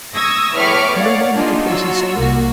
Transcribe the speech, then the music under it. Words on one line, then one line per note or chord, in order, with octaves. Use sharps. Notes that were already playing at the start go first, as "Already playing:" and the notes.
You know my little place in Surrey?
C#6 D#6 E6 G#6 A#6
E2 A2 B5 C#6 D6 F6
C#5 D5 F5 F#5
A#3 D4 D#4 F4 G#4
F#3 F4 F#4 E6
C2 A#3 F#4